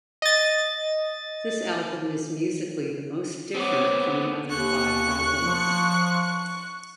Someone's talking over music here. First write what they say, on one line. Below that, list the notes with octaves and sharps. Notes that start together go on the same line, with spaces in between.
This album is musically the most different from the other five albums.
D#5 A6
B3 C4 C#5 D6
D#2 C#6 F#6
F3